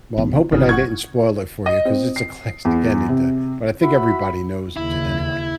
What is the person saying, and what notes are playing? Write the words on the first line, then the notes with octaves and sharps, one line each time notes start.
Well, I'm hoping I didn't spoil it for you 'cause it's a classic ending to but I think everybody knows it anyway.
B1 E3 B3
G1 C#3 E3
F#5 C#6 G#6
D#5
C4
C7
E2
C3
F#4 E5 B5
D#2 C#3 E4